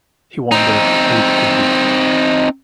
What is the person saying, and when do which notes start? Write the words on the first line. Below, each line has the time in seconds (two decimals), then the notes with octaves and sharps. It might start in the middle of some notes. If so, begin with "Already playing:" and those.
He wondered who it could be.
0.51 C4 D#4